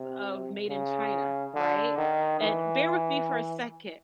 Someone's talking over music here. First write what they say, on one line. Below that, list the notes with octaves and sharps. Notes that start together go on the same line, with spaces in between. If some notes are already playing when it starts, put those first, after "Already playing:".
of Made in China, right, and bear with me for a second,
Already playing: C3
C#3
D3
D#3
E3